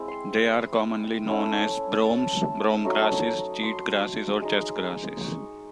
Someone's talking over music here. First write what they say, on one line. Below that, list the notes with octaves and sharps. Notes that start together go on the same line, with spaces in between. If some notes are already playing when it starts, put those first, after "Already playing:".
They are commonly known as bromes, brome grasses, cheat grasses or chess grasses.
Already playing: G#3 C4 E4
C6
A3 C#4 E4
A5
F#3 A3 D#4
C6
G#3 D#4
C#6